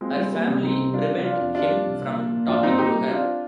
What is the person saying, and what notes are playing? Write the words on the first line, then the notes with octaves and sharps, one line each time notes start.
Her family prevent him from talking to her.
G#3 C4 F4
G3
A#3
C3
C2 C4 D#4
C3
G3 D4 F4
C3
F3 D4 F4
F2
D4 F4 G4
G3
C2
A#2
A#3
A#2
G#1 D4 F4
G2 C4 D#4
A#2 D#4 G4
G3
C4 D4 F4